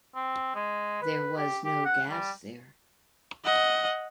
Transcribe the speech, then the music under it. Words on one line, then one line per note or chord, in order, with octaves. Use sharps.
There was no gas there.
C4
G#3
B4
G4
G4
F#5
G3
D#5 F#5